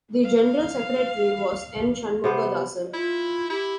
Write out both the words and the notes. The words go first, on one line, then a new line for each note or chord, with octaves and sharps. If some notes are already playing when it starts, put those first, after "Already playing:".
The general secretary was N. Shanmugathasan.
F5
C3 B3 C5
E4 F4
E4 G4